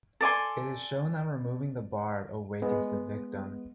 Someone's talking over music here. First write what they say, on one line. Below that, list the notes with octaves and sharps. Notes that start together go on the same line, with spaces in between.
It is shown that removing the barb awakens the victim.
A4 D5 G#5 C6
G#3 B3